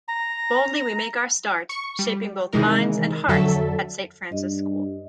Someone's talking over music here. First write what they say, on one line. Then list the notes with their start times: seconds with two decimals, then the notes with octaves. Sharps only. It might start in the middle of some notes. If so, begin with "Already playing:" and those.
Boldly we make our start shaping both mind and hearts at Saint Francis School.
0.08 A#5
1.69 C#6 C#7
1.99 G3
2.53 C3 D#3 E3 G#3 D#4 A#4
3.28 F2 D3 F#3 A4 E5
4.32 G2 D#5